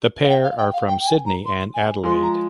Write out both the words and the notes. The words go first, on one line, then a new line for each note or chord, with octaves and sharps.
The pair are from Sydney and Adelaide.
F5
G5
F5
G5
F5
G5
G5
G#5
A#5
C6
G#5
F3 G#3 C6
A#5